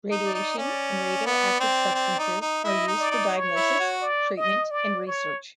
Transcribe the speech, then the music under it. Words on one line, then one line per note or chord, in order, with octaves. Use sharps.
Radiation and radioactive substances are used for diagnosis, treatment, and research.
D#4
D5
D#4
C#4 D5
B3
C4
C4
D#4
D#4
E4 D#5
D#4
D5
D#4
C#5
E4
F#4
D5
D#5
D5
C#5